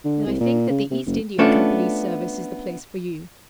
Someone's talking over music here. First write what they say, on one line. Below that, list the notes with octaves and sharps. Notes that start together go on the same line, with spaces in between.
"Then I think that the East India Company's service is the place for you."
D3
C2
A#2
C#3
C3
F#1
A3 B3 C#4 D4 F4 A4